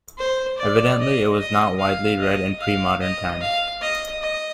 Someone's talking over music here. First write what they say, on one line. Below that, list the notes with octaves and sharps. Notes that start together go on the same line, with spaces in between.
Evidently it was not widely read in pre-modern times.
C5
D5
D#5
D#5
F5
D#5
F5
D#5
F5
D#5
D#5